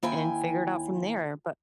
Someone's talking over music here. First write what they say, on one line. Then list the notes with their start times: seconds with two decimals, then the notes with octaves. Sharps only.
and figure it out from there. But
0.03 D#2 E4 G5 G#5